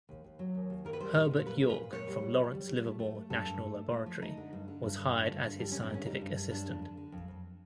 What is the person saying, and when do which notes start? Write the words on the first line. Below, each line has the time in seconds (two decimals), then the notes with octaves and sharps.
Herbert York from Lawrence Livermore National Laboratory was hired as his scientific assistant.
0.09 D#2
0.24 D#2
0.39 F#3
0.55 D#2
0.70 D#2
0.85 D#3 A#4
0.93 B4
1.00 G3 C5
1.16 A#2
1.31 A#2
1.46 G3 B4
1.62 A#2
1.69 B4
1.77 A#2
1.92 A#2 C#5
2.08 G3
2.23 G3
2.39 G3
2.54 G3
2.69 G3
2.85 A3
3.00 A3
3.15 A3
3.30 G2 A4
3.45 G2
3.61 A3
3.76 A3
3.91 A3
4.06 F3
4.22 A3 D#4
4.37 D3
4.53 G2
4.68 D3
4.83 G2
4.98 D3
5.14 D3
5.29 G2
5.44 D3
5.59 G3 D4
5.72 C#4
5.75 G2
5.82 C4
5.90 D3 C#4
6.06 G3 D#4
6.21 G2
6.36 G2
6.51 G3 D4
6.67 F2
6.82 D3
6.97 D3
7.12 F2
7.28 F2